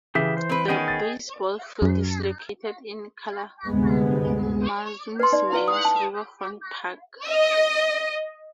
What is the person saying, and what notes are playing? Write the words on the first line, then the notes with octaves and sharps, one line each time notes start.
The baseball field is located in Kalamazoo's Mayors Riverfront Park.
C#3 E3 G4 G#4 E5
C5
C4 B4
D#3 B3 C#4 G#4 D#5 G5
A6
F#2
D2 G2 C3 G#3 B3
B4 C6
D#4 D5
E4 B4 F5
D#6
A5
D#5